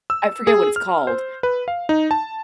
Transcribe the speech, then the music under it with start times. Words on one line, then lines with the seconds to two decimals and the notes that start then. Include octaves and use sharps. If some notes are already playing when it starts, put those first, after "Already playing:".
I forget what it's called,
0.10 E6
0.47 G#4
0.76 F6
1.07 C5
1.43 B4
1.68 F5
1.89 D#4
2.11 A5